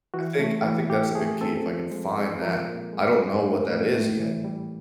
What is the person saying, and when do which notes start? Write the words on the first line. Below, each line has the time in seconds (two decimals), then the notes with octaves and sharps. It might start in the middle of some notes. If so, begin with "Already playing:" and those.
I think I think that's a big key if I can find that. I don't know what that is yet.
0.14 E3 F#4
0.39 A3
0.65 E3
0.90 A2 G4
1.15 A3 G#4
1.41 C4 A4
1.66 F3
1.91 G#3
2.17 G#3
2.42 F3 A#4
2.67 A#2
2.93 G#3
3.18 G3
3.43 A2
3.69 A2
3.94 A2
4.20 E3
4.45 G3